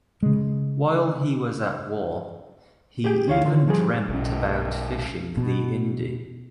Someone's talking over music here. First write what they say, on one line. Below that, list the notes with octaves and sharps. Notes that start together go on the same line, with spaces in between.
While he was at war, he even dreamt about fishing the Indi.
C#3 G#3
G4 G#4 G5
D2 C#5 F5
D3 F4
F3 G3 G#4
B1 C#4
B2